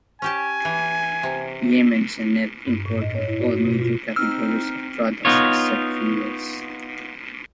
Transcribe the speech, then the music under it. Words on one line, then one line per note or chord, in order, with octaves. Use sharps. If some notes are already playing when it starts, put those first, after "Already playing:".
Yemen is a net importer of all major categories of products except fuels.
C#4 G4 G#5 A5
E3
C3
G2
A2
D#5
C#5
E4
F#4
B2
F4
C4 D#4 E6 F6
B3 D#4 F4 C#5